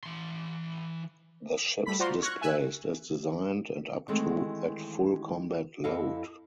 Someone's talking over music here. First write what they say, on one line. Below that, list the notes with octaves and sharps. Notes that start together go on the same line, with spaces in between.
The ships displaced as designed and up to at full combat load.
E3 C6
G3 A3 B5 B6
F4 F#4 C5 D5 A#5 C6
C#6 F6 F#6 G#6 A#6
E5 G#5 E6 F#6
D#3 E3 G#3 A3 C4
F2 E4 A4 D#5 F5